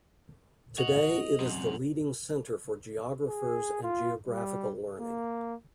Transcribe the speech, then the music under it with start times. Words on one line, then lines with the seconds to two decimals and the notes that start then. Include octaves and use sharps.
Today, it is the leading centre for geographers and geographical learning.
0.78 F#4 D#5 F7 F#7
1.40 F#2 C3
3.29 G#4
3.83 F4
4.28 G3
5.00 A#3